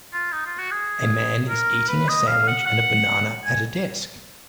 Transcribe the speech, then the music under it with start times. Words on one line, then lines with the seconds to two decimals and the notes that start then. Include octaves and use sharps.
A man is eating a sandwich and a banana at a desk.
0.13 F4
0.32 D#4
0.46 F4
0.59 F#4
0.71 G#4
1.49 A#4
1.88 B4
2.08 D#5
2.28 F5
2.47 F#5
2.66 F#5
3.45 G#5